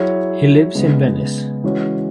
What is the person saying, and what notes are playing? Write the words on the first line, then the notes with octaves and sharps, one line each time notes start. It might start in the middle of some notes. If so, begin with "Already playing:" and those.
He lives in Venice.
Already playing: F#3 E4 G#4 C#5
C#3 G#3 B3
E3 G#3 C#4 F#4 C#5